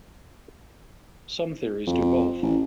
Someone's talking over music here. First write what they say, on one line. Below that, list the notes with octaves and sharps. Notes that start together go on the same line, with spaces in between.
Some theories do both.
F2
A1